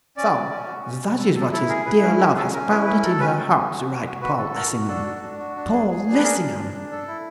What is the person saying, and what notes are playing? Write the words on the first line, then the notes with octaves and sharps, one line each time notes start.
'So!--That is what his dear love has found it in her heart to write Paul Lessingham!--Paul Lessingham!'
C#4 D5
C#4
C#4
F#4
C#4
C#4
A4
A4
E4 A4
G#4 A#4
E4 B4
C#4 B4
C#4 A#4
C#4 A4
C#4 A#4
E4 B4
C#4 B4
A4 A#4
C#4 B4
A4
C#4
F#4
F#4
F#4
F#4 B4
A4
F#4 A#4
F#4
D4 A4
F#4
D4
F#4
D4
G#4
G#4
D4
B4
G#4 A#4
D4
D4
D4
A4
E4